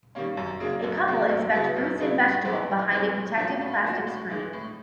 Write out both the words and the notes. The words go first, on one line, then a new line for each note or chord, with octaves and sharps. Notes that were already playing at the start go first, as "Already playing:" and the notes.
A couple inspect fruits and vegetable behind a protective plastic screen.
D#3 G3 A#3 C#4
F#2
C#3 F#3 A#3 D4
F#2
C#3 F#3 A#3 D4
F#2
C#3 F#3 B3 E4
F#2
C#3 F#3 B3 E4
G2
E3 G#3 C4
G2
E3 G#3 C4
A2
F3 A#3 D4 F#4
A2
F3 A#3 D4 F#4
A2
E3 G#3
A2